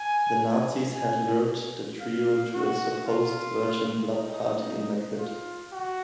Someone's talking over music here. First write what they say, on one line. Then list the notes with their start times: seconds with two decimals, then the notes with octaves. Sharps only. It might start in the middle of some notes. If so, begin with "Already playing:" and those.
The Nazis had lured the trio to a supposed virgin-blood party in Madrid.
Already playing: G#5
0.95 G#5
2.00 F5
2.54 F#4
3.07 F4
4.13 D#4
5.19 F4
5.73 F#4